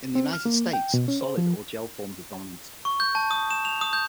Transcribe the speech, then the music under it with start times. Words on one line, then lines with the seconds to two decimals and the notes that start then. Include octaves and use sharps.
In the United States, solid or gel forms are dominant.
0.15 C4
0.33 F6
0.46 A#3
0.73 G5
0.94 B2
1.08 C#4
1.21 C5
1.37 F3
2.85 C#6
3.00 G6
3.15 A5
3.31 D#6
3.51 E7
3.65 F7
3.81 D#6
3.93 G6